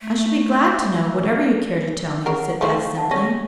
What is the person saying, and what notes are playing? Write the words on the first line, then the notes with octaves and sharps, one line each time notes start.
"I shall be glad to know whatever you care to tell me," said Beth, simply.
A3
C#3 A#4 F#5
F3 A3 C5
F#5 A5
C#4 A#6